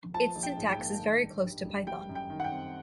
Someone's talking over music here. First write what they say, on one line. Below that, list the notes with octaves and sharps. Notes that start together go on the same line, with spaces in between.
Its syntax is very close to Python.
F3 A5
A#1
G5
G#2
G5
A#3
D#3
G1
G2
G3
G3 G5
F#2
G5
D#3
F#5
G5
C4